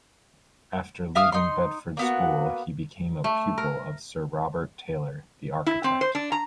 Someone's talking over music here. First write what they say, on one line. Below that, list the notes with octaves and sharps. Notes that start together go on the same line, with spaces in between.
After leaving Bedford School he became a pupil of Sir Robert Taylor the architect.
E5 F5 D#6 F6
D#4 C6
A#3 B3 F#4
A3
A#4
E4
C4
C5
D4
A#5